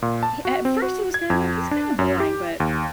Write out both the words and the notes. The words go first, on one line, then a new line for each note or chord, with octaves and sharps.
He at first, he was kinda, "Well, he's kinda boring," but,
A#2
A5
F#4
C4
F#4
G#6
F2
D4
F#2
G4
D#2